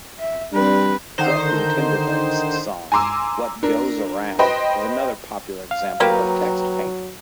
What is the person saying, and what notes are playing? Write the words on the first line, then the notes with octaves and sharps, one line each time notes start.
Justin Timberlake's song "What goes around" is another popular example of text painting.
E5
G3 C4 D4 B4
D3 D#3 D#4 C5
G#5 A#5 C6 D6 E6
D4 A#4
B4 C5 D#5 G5 B5
F5
F#3 A#3 G4 B4 F5 G5 A#5